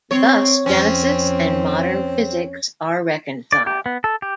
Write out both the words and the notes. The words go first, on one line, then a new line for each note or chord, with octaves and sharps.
Thus Genesis and modern physics are reconciled.
C4 C#5
F2 C4 C#4
D5
G4
B3
A4
G4